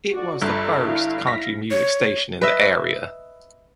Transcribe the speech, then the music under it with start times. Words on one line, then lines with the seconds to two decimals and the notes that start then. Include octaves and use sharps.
It was the first country music station in the area.
0.11 F#4 D5
0.42 G1 G2 F4 A4 B5
0.80 E4 F5
1.27 A#6 B6
1.70 C#5
2.41 B4 D#5 E5